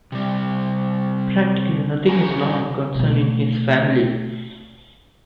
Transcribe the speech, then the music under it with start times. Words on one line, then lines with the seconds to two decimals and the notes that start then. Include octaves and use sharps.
Practically nothing is known concerning his family.
0.12 C3 G3
2.09 G3 C#4 A4 F#5 G#5 A#5
2.95 B2 A3